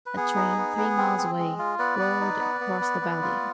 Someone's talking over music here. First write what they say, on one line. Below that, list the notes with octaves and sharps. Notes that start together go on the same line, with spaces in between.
A train, three miles away, roared across the valley.
B4
B3 G#4
D#4
B3
B3
C4
C4
G#3
F4
B3 B4 D5
B3
D#4
B3
B3
B3
B3
F4